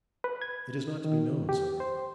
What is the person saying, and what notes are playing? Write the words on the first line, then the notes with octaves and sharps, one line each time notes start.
'It is not to be known, sir.
B4
G#6
D#3
G4
C5